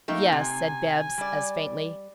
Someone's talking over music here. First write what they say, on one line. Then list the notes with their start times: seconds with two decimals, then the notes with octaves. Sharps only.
"Yes," said Bibbs, as faintly.
0.08 A3 A#3 D#4 G5
0.32 C3 G#5
1.18 G3 D5